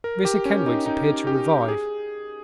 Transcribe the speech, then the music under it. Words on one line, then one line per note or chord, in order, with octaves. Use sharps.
Mr Kenwigs appeared to revive.
A#4
G4
C#4
D#4
D#4
G4
G#4